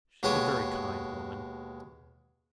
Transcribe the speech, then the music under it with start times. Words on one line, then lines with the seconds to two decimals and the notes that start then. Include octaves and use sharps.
She is a very kind woman.
0.23 D#2 B2 G#3 C#5 D6 D#6